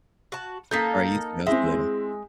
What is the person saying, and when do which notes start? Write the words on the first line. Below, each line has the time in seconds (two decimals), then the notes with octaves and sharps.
Alright, you too, I'll see you later.
0.32 F#4 A5
0.71 A#3 D#4 A4 G6 B6
1.46 G#3 C4 E4 E5